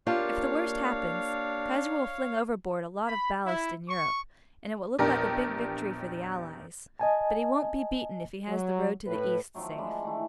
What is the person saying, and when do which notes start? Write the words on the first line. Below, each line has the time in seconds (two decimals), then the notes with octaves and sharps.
If the worst happens, Kaiser will fling overboard a lot of ballast in Europe, and it will look like a big victory for the Allies, but he won't be beaten if he has the road to the East safe.
0.07 A#3 D4 F4 G4 C#5 F5 A5
3.08 B5
3.46 E4
3.88 C#6
4.99 A#1 E2 D4 G4 A#4 A#6
6.99 D#5 G#5 A5
8.48 F#3
9.07 A2 B4
9.54 D#3 F3 F#3 A3
9.78 G#3 D4 F4 B5
10.02 D#3 E3 A3 E4